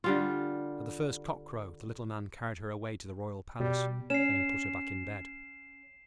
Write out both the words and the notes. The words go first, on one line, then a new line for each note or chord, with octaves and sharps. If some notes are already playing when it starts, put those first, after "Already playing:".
At the first cock-crow, the Little Man carried her away to the royal palace, and put her back in bed.
D3 G3 F4
B2 G3
C#4 C7 E7